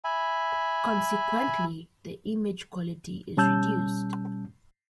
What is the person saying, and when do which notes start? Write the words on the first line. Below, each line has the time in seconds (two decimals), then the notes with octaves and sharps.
Consequently, the image quality is reduced.
0.04 E5 G#5 B5
3.37 B2 G3 C#4 A5 E6 G6